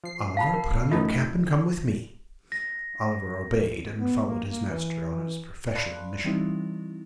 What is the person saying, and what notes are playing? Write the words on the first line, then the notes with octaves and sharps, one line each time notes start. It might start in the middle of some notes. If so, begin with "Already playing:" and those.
Oliver, put on your cap, and come with me.' Oliver obeyed, and followed his master on his professional mission.
F3 C7
F5 A5 B5
A#4
F#2 A3 D#4 F4 D#5
A#6
B3
A#3
A#3
E3
D5 F5 A5 B5 C6 F#6
E3 G3 C4 D#4 E4